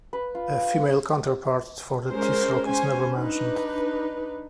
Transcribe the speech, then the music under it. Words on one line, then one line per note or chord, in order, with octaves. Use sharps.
A female counterpart for the Tisroc is never mentioned.
B4
F4
G#3 C#4 A#4 C5
C#4 C5 G#5
D4 D#4 B4